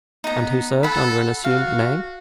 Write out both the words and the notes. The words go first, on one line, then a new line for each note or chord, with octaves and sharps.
"And who served under an assumed name?"
B3 D#4 A#5
A4 F#5 B5
F#4 F5